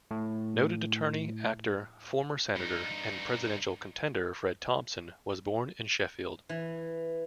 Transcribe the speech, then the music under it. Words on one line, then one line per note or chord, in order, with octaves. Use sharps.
Noted attorney, actor, former senator and presidential contender Fred Thompson was born in Sheffield.
A2
G2 D#4
E3